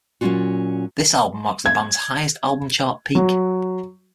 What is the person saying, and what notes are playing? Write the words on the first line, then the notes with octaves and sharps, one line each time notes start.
This album marks the band's highest album chart peak.
A#2 F#3 A3 C#4 F4 F#4
G#6
F#3